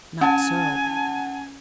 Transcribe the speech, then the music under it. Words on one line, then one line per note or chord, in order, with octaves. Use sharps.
Not so.
C#4 F#5 G#5 A5